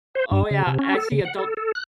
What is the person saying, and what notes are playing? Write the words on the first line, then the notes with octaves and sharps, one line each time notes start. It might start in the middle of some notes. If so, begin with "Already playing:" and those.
o oh, yeah. I see adult
C5
G2
C#3
C3
C#4
A4
C#3
F#5
A4
A4
F#6